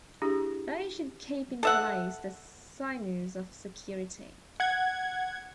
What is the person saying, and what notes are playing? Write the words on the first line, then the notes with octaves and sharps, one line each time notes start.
They should keep in place the sinews of security.
D4 E4 G4 G#4
A4 E5 F#5
F#5 G#6